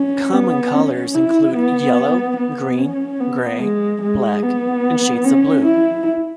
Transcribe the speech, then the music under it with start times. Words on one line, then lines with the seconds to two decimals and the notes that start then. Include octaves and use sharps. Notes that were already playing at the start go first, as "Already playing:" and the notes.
Common colours include yellow, green, grey, black and shades of blue.
Already playing: C#4
0.32 B3
0.73 C#4
1.14 E4
1.56 B3
2.37 B3
2.78 C#4
3.20 B3
3.61 G#3
4.02 G#3
4.43 B3
5.24 C#4
5.65 E4